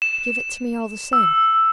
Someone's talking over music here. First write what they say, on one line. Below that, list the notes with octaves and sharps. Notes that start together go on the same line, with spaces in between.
"Give it to me all the same."
E7
E6